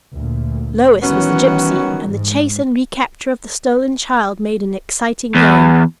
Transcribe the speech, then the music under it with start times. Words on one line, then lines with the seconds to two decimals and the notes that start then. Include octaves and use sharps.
Lois was the gypsy, and the chase and recapture of the stolen child made an exciting game.
0.12 D2 A#2
1.02 D#3 E3 F#3 G3 B3 C#4
2.10 G#2
5.35 E2